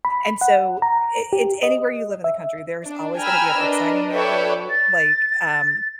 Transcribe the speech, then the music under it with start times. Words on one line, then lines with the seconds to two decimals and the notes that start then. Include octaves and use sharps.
and so, i it's anywhere you live in the country, there's always gonna be a book signing near you, like, um
0.05 B5
0.41 F#5
0.82 A#5
1.33 G4
1.63 D#5
2.24 E5
2.83 D4
3.20 G5 G#5 A#5 B5 E6 F6
3.59 D4 A#4 B4 D#5
4.14 A4 B4 C#5 D5 E5 G5
4.70 A6